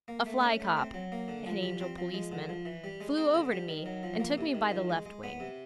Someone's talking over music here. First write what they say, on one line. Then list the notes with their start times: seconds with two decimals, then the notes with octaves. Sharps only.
A fly cop--an angel policeman--flew over to me and took me by the left wing.
0.08 A#3
0.26 A3
0.43 C#4
0.60 A3
0.77 C4
0.94 F#3
1.12 A#3
1.28 D3
1.46 F3
1.63 G3
1.80 C4
1.98 F3
2.14 G#3
2.32 D3
2.49 F3
2.65 E3
2.84 G3
3.01 G#3
3.17 C4
3.35 D3
3.52 G3
3.69 D#3
3.86 F#3
4.03 F3
4.20 A#3
4.38 C3
4.55 D#3
4.72 F3
4.90 G#3
5.06 G#3
5.23 B3
5.40 C3